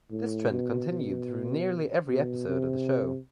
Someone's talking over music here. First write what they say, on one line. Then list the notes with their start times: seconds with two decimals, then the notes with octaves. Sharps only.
This trend continued through nearly every episode of the show.
0.11 A2
0.50 B2
0.90 B2
2.07 B2
2.47 C3